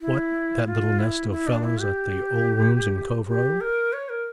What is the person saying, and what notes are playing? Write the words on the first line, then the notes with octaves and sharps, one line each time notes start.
'What, that little nest of fellows at the "Old Rooms" in Cove Row?
E4
F4
E4
E4
D4
E4
G4
G4
A#4
C#5
A#4